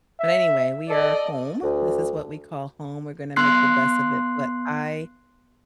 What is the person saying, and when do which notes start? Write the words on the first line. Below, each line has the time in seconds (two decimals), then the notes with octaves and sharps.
But anyway, we are home. This is what we call home, we're gonna make the best of it, but I
0.20 E5
0.90 A4 D5 D#5
1.63 D2
3.36 B3 C6 F#6 C7